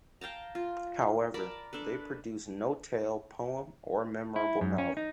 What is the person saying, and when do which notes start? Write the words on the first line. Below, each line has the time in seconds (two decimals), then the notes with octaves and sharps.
However, they produce no tale, poem or memorable novel.
0.21 F5 G5 A5 A#5
0.55 F4
1.34 A#4 D5 A5 B5
1.73 D4 A4 B4
4.36 E4
4.61 F#2
4.78 C#4
4.97 D#4